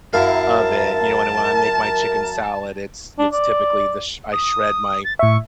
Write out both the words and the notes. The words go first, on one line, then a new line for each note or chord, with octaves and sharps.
of it, you know, and when I make my chicken salad, it's it's typically the sh I shred my
F#2 E4 A#4 F5 A5
D4
D5
D#6
A6
A2 E5 C#6